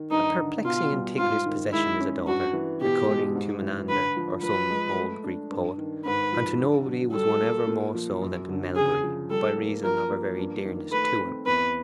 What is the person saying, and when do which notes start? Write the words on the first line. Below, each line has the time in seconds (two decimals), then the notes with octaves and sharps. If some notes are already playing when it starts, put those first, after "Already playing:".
"A perplexing and ticklish possession is a daughter," according to Menander or some old Greek poet, and to nobody was one ever more so than to Melbury, by reason of her very dearness to him.
Already playing: D#3
0.10 G2 D#4
0.38 D3
0.64 B2 F4
0.92 G3
1.18 G#2 F4
1.46 D#3
1.73 G#3 E4
2.00 C#4
2.27 G2 F#4
2.53 E3
2.81 B2 G4
3.08 G#3
3.35 G#2
3.62 E3
3.89 D3 B4
4.17 F3
4.43 F3 B4
4.70 G#3
4.97 A3
5.24 D4
5.51 G2
5.78 D#3
6.05 G#2 B4
6.32 F3
6.60 D3
6.86 F#3
7.13 G3 A4
7.41 A#3
7.67 A#2
7.95 F3
8.22 F#2
8.49 D3
8.76 C#3 G#4
9.03 F3
9.30 G3 A4
9.57 A#3
9.84 F3 A#4
10.11 A#3
10.38 G2
10.65 D#3
10.92 A3 B4
11.19 C4
11.46 E2 B4